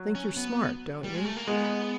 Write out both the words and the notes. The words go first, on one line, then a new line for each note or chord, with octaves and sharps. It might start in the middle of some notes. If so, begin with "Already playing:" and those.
Think you're smart, don't you?
Already playing: F#3
C#4
B3
G3
G#3
A3
A#3
G#3 B3